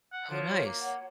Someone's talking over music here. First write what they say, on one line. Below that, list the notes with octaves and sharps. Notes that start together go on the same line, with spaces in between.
Oh, nice.
F#5
F3 F#4 C#5
A#3
C#5 F#5